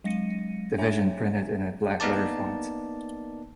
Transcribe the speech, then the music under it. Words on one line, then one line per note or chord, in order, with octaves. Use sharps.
Division printed in a blackletter font.
F#3 G#3 A#6 C#7 D#7
D4 C#5 E5 G#5
A#3 B3 D#4 A#4 D5 A5